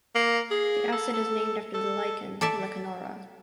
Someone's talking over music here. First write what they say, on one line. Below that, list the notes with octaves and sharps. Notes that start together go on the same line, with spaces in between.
The acid is named after the lichen "Lecanora".
A#3
G#4
A4
A4
A4
A4 D5 E5 A5